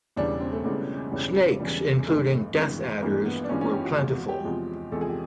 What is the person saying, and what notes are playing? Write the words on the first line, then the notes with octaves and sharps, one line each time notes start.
Snakes including death adders were plentiful.
E1 E2 C#3 E3 G3 D4
C4
A3
E1 E2 C#3 E3 G3 G#3
E1 E2 C#3 E3 G3
E1 E2 C#3 E3 G3
G#1 G2 E3 G#3 A3
G#1 G2 E3 G#3
G#1 G2 E3 G#3 A#3
B3
D4
G#1 G2 E3 G#3 C#4
C#4
G4
F#4
E2 C3 F3 G#3 F4
F#4
G4
E2 C3 F3 G#3
E2 C3 F3 G#3 A4
G#4
G4